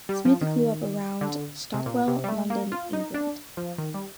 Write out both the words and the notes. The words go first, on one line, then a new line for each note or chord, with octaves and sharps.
Smith grew up around Stockwell, London, England.
G3
F3
D#3
D3
C3
A#2
C3
G3
A3
A#3
F4
D#4
D4
F3
D#3
G3